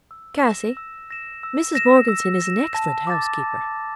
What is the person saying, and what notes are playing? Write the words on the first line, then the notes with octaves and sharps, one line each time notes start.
"Cassy, Mrs. Morgeson is an excellent housekeeper."
E6
A#6 E7
E6
A#6 E7
E6
A#6 E7
E6
A#6 E7
A5
D6 A6
A5